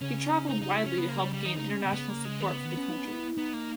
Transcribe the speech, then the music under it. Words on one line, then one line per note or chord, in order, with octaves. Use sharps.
He traveled widely to help gain international support for the country.
C#3 C#4
D#4
D#4
E4
C#4
C#3 B3
A#3
G3
G3
D#3 D#4
C#3 D#4
C#4
B3
C#3
B3
A#3
G#3
D#3 B3
C#3
D#3
C#4
D#4
C#4
D#4
E4
B3 D#4
A#3